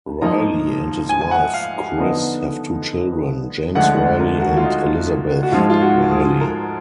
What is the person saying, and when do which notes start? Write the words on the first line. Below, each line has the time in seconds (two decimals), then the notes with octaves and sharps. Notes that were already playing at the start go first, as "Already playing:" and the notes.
Riley and his wife Chris have two children, James Riley and Elisabeth Riley.
0.21 G#2 F3 A#3 D#4 A#5
1.09 G#5
1.21 G#5
1.31 F#5
1.54 F5
1.98 D3 F3 B3 D#4
3.75 D2 D3 F3 G#3 F#5
3.97 F#5
4.20 A#4
4.41 F#4
4.57 F4
4.64 D#4
5.43 F#4
5.52 G#2 F3 G#3 F4
5.70 F4
5.82 F#4
6.11 G#4
6.41 A#4